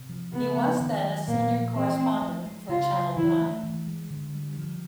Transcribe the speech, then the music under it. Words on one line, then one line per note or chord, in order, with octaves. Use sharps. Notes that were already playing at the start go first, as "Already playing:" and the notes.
He was then a senior correspondent for Channel Nine.
Already playing: C3
F3
C#3 B3
F3
D#3
F#3
A#2 A#3
F3
E3 C4
A3
F3
G#3
C#3 F4
F#3
E3 E4
A3
E3
G#3
D3
G3
F3